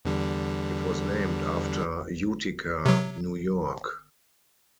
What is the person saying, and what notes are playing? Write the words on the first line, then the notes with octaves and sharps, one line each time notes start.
It was named after Utica, New York.
E2 D3 G3
C3 F#3